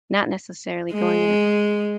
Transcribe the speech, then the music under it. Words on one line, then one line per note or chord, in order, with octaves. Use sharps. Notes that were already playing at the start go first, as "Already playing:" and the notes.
not necessarily going in a
G#3